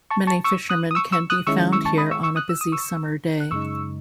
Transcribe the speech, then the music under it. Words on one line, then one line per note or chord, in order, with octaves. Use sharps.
Many fishermen can be found here on a busy summer day.
A5 C#6
A5 C#6
C#6 E6
D#6 F#6
D#6
C#6 E6
C#6 E6
D#6 F#6
D#3 G#3 C#4 E4 C#6 E6
C#6 E6
A5 C#6
B5 D#6
C#6 E6
C#6 E6
D#6 F#6
E6
D#6
C#6 E6
F#6
F#2 C#3 G#3 D#4 C#6 E6